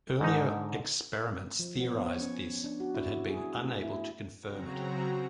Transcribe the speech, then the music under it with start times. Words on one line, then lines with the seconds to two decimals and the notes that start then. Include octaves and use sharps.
Earlier experiments theorized this but had been unable to confirm it.
0.20 G#2 D3 D#4
1.59 F3
1.80 B3
2.06 C#5
2.21 C#4
2.64 D4
2.80 F#4
2.95 E4
3.29 G#4
3.56 A3
3.84 E4
4.40 C#3 F#3 C4 F#4 A#5